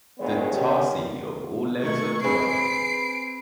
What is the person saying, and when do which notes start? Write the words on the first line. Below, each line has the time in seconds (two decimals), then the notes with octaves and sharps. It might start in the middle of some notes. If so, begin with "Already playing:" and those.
The tarsi of all legs are dark.
0.19 D2 A#2 D#3 G#3 B3 C#5
0.52 B2 D#3 G#3 C#4 G4
1.83 D#3 A3 C#6 G#6 C#7
2.24 C4 G#4 B4 C7 D7